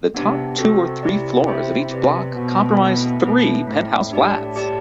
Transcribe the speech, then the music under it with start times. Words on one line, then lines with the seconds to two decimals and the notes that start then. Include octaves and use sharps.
The top two or three floors of each block comprise three penthouse flats.
0.14 C3 B3 D4 G4
0.58 C3 C4 F#4 A4
1.03 E4 G4 D5
1.47 C4 E4 G4 C5 E5
1.91 C3 G4 B4 D5
2.35 B2 B3 F#4 C5
2.80 A3 C4 E4 A4
3.24 B2 A3 E4 B4
3.67 A2 A3 C4 E4
4.11 A2 D4 G4 D5 A5
4.56 G4 D5 A5